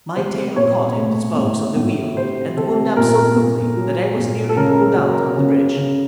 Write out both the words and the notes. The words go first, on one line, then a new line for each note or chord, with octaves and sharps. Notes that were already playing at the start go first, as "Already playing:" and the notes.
My tail caught in the spokes of the wheel, and wound up so quickly that I was nearly pulled out on the bridge.
C3 C5
A#2 C#5
A3
A2
A2
C3 C5
C3 A4
A#2 A#4
A#2
F#3
A#2
A4
C#3 A#4
F#3 A#4
C#3
C#3